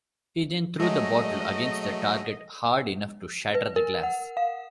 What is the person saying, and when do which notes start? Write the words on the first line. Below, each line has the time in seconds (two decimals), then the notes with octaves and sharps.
He then threw the bottle against the target hard enough to shatter the glass.
0.80 F#3 G#3 A3 D#5
3.55 B4
3.76 A#4
4.03 F#5
4.37 F5